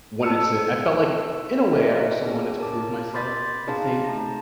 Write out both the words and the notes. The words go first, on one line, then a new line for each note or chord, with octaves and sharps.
wanted to I felt like, i in a way, I also wanted to prove myself, I think.
C4 A5 E6 C#7
G4 A4 A#4 D#5 E5
B3 C4 D4 G#4 C#5
F#4 A#4 A5 D6
B5 C6 D6 G6 A6 B6
C#4 D#4 G#4 F5 A5 C6
A3 A5 A#5 A#6